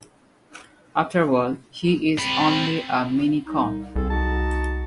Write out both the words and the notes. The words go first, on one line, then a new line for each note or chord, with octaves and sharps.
After all, he's only a Mini-Con.
C4 B5
C2 D#4
C2 C4 G#4 A4
D#4 F#4 A5